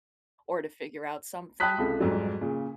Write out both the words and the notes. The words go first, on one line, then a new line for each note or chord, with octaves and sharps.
or to figure out something,
G5 A5 B5 D#6 F#6 B6
C#2 C3 A4
F2 G#2 F#3 G3
A#2 C#3